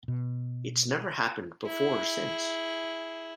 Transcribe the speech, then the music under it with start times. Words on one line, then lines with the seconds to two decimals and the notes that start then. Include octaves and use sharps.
It's never happened before or since.
0.08 B2
1.66 E4 G#4